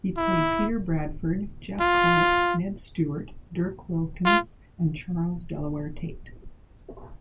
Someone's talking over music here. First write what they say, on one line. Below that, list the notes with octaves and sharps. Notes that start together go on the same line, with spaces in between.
He played Peter Bradford, Jeff Clark, Ned Stuart, Dirk Wilkins, and Charles Delaware Tate.
E4
F4
F4